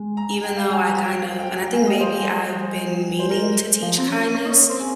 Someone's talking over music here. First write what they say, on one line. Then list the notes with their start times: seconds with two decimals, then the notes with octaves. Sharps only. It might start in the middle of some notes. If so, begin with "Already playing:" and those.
even though I kind of and I think maybe I've been meaning to teach kindness,
Already playing: G#3
0.17 A#5
0.30 A#5
0.44 G5
0.56 F5
0.70 G3 G#5
0.86 A#5
1.04 G5
1.22 F5
1.39 G5
1.56 G5
1.74 G#3 F5
1.86 G3 D#5
2.00 F3 C5
2.13 G3 G#4
3.19 C5
3.30 A#4
3.82 F3
3.98 C4
4.08 C#4
4.34 C#4 A#4
4.46 D#4
4.52 C#4
4.70 C4
4.80 G#4